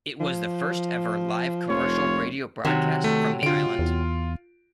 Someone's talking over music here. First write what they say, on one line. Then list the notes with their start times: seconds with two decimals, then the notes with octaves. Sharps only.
It was the first ever live commercial radio broadcast from the island.
0.20 F3
1.68 F1 F4 C#5
2.65 C3 D#3 F#3
3.04 A3
3.43 D3 F4 D7
3.79 E2